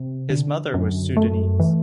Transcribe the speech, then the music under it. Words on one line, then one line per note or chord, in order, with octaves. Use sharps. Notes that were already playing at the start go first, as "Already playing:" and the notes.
His mother was Sudanese.
Already playing: C3
D3
F#2
A3
E3